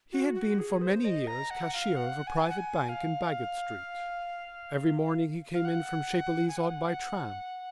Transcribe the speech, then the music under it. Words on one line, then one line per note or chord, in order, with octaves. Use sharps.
He had been for many years cashier of a private bank in Baggot Street. Every morning he came in from Chapelizod by tram.
F#4
F#4
G#4
C5
D#5
A#5
F#5
F5
F#5
G#5
F#5
G#5
F5
F5
F#5
G#5
F#5